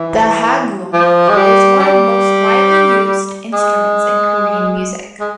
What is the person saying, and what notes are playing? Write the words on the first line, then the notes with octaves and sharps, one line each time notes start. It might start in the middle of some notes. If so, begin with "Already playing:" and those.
The "haegeum" is one of the most widely used instruments in Korean music.
Already playing: E3
F3
G#3
G3
G3
G#3
G#3